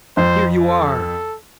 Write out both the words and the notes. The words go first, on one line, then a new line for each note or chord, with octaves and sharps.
"Here you are!"
F2 C5
A4